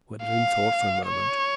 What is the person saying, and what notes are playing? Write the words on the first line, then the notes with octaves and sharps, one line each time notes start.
Gwendolen thought for a moment.
F5
C#5